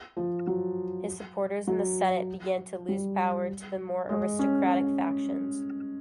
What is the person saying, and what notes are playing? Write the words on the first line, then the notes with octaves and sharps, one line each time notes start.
His supporters in the Senate began to lose power to the more aristocratic factions.
F3
F#3
F#3
G3
G#3
C#4